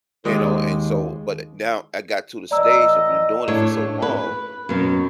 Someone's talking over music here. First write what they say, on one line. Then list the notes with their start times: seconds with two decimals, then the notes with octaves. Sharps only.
You know, and so but i now, I got to the stage I've been doing it for so long,
0.25 D#2 G#3
2.51 A2 E3 D5 D#5 A#5 E6
3.48 A2 D4 C#5
4.02 B4
4.69 F#2 B2